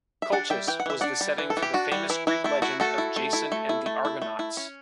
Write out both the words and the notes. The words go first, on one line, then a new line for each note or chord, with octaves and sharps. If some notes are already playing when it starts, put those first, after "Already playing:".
Colchis was the setting for the famous Greek legend of Jason and the Argonauts.
E5
D4 D5 F#5
G3 E5 G5
E3 G5
F#5
E3 E5
D4 D5 F#5
G3
E3
A4
E3
G4
D4 F#4
G3 F#4
E3 E4
E3 E4
A3 E4
E4 F#4
A3 F#4 A4
E4
A3
E4
A3
E4
A3
E4
A3
E4
C#4